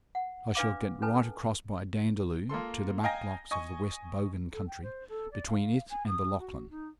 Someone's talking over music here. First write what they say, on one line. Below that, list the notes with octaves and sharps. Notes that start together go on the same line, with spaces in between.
I shall get right across by Dandaloo to the back blocks of the West Bogan country, between it and the Lachlan.
F#5
D4 B4 F5 D6
C#4 A4 B4 G#5 A5
A#3 F4 A4 C6
D#5 F5 G5 G#5 A#5 A#6
D#5 G#5 C#6
A4
G5
C5
A4
D5
F5
G#5
D#6
F#4
D#4